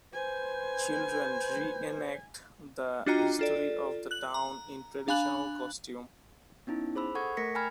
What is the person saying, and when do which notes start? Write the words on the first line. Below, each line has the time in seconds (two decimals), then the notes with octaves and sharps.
Children re-enact the history of the town in traditional costume.
0.13 B4 C5 G#5
3.06 D4 F4 F#4 D#5 G5 A#5
3.39 F4 A4 D5
4.11 F#6 F#7
4.34 A#5
5.08 D4 F5 G#5 B5 F#6 F#7
6.67 B3 C#4 D#4 E4
6.95 G#4 C5 B5 E6
7.15 A4 F#5 C#6 G#6
7.37 A3 A#4 A#6 B6 C#7
7.55 G5 G#5 A#5 B5 F6 G#6